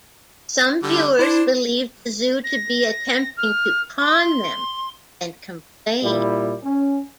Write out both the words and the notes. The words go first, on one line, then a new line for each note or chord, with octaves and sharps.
Some viewers believed the zoo to be attempting to con them and complained.
D3 G3
D4 E4 C5
A#6
F6
C6
A#2 G3 E4
C#4